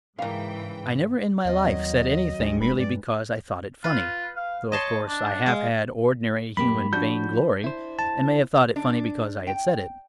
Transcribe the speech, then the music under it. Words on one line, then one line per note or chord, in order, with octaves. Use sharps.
I never in my life said anything merely because I thought it funny; though of course, I have had ordinary human vainglory, and may have thought it funny because I had said it.
G#2 C#3 E3 G3 A#3 F5 G5
D#2 C4 D5 D#5 F5
D#3 F#3
D2 G2 G#3 D4
E1 B4 B5
G2 D5
F4 B4
F5
C#5 D#5 A5 C6
D4
G#3 F5
F#2 A#3 G4 B5
F3 D4 F#4 G6
E4 C5
A5
D4
G5